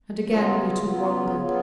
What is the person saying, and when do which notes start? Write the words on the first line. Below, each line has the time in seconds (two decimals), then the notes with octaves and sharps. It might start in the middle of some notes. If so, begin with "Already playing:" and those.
And again we two wandered.
0.25 C#3 F#3 B3 F4
0.81 C#3 F#3 B3 F4
1.39 C#3 F#3 B3 F4